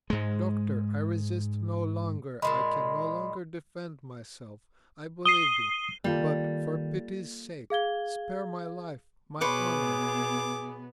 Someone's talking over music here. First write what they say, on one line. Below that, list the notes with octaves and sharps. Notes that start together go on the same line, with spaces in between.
"Doctor, I resist no longer--I can no longer defend myself--I believe you; but, for pity's sake, spare my life, my honor!"
G#2 G#3
A#2 E3 G#3 B5 C6
D#6 C7 D#7 G7
D#3 G3 A#3 F4 A4
G#4 F5 G#6 G7
B2 B3 G#4 B4 C#5 C6 D6